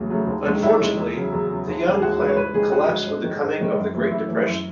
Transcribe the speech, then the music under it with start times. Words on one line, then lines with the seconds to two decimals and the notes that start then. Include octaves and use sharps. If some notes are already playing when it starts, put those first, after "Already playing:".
Unfortunately, the Young Plan collapsed with the coming of the Great Depression.
Already playing: E2 C#3 F#3 A3
0.10 C#3 F#3 A3
0.27 D#2
0.45 D#3 G#3
0.62 D#2 E4
0.80 D#3 G#3
0.97 E2
1.15 C#3 F#3
1.32 E2
1.49 C#3 F#3
1.67 D#2
1.85 C#3 E3 G#3
1.94 G#4
2.02 D#2 F#4
2.19 C#3 E3 G#3 B4
2.29 C#5
2.36 G#2 B4
2.54 D#3 G#3 G#4
2.71 G#2 F#4
2.89 D#3 G#3
3.06 G#2
3.24 D#3
3.29 G#3
3.42 G#2
3.59 D#3 G#3
3.77 F#2
3.95 E3 A3
4.11 F#2 E4
4.29 E3 A3
4.46 F#2